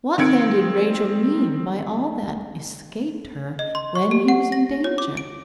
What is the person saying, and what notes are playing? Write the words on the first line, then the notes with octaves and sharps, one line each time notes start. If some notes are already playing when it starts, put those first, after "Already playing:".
What, then, did Rachel mean by all that escaped her, when he was in danger?
D#3 C4 G#6 C#7 D7
D#5
C6
C#6
G4
F#5
A#6
C#5
D6
D7